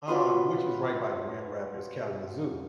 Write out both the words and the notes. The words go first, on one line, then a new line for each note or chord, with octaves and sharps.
um, which is right by Grand Rapids, Kalamazoo.
F#3 F4 B4 C6